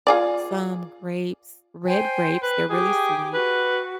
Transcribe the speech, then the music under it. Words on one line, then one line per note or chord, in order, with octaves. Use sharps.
some grapes, red grapes, they're really sweet,
F4 G#4 D5
C5 G5 G#5
B4
G4 G#4 G5 D6
F#4 B4